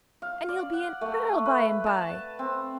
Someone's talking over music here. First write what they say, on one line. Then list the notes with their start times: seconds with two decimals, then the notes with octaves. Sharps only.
And he'll be an earl by-and-by.
0.22 F5
0.49 D5
0.73 F#5
1.01 A3
1.46 B4
1.86 A5
2.39 C4